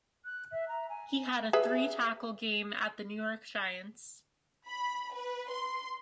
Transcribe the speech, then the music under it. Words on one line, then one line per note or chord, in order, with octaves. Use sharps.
He had a three-tackle game at the New York Giants.
F#6
E5
A#5
G#5
G#4 B4 E5
B5
B4
C6